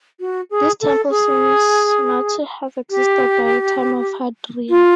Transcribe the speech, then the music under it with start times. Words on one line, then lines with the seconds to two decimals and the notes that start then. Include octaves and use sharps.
This temple seems not to have existed by the time of Hadrian.
0.20 F#4
0.51 G#4
0.81 A4
1.10 G#4
2.90 G4
4.70 F4